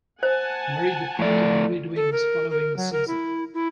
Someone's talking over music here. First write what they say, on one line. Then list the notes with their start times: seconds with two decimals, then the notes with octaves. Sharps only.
Murray departed the Red Wings following the season.
0.23 C5 F#5 G#5 A5
1.19 A2 F3 A3 D5
1.96 A4
2.12 A#4
2.50 A#4
2.77 F#3
2.93 A#4
3.08 E4
3.54 E4